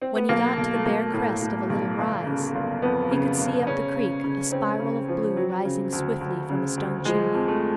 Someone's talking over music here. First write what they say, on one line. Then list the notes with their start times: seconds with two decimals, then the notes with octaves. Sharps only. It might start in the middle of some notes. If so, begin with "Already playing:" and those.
When he got to the bare crest of a little rise, he could see up the creek a spiral of blue rising swiftly from a stone chimney.
0.02 C4
0.16 B3
0.29 B1 A#3
0.57 B1
0.73 A3
0.85 B1 A#3
1.14 A2
1.42 A2
1.70 B1
1.98 G1
2.26 C#3
2.55 G1
2.82 F2 B3
3.11 C#3
3.39 G1
3.67 C#3 C#4
3.95 C#3
4.24 C#3
4.52 C#3 C4
4.80 C#3
5.08 F3
5.37 F#3
5.65 C#3
5.92 D2
6.21 D2
6.50 C#3
6.77 D2
7.05 F3 G#3
7.34 F2
7.48 A3